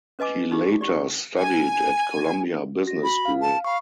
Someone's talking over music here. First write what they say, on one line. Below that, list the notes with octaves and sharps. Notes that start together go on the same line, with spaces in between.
He later studied at Columbia Business School.
C#4 B4 D#5 G#5 D6
C#4 D#4 F4 G4 G#4
G4 D5
G#5
F#4 A#6
B5
F5
A5
F5 B5 C#6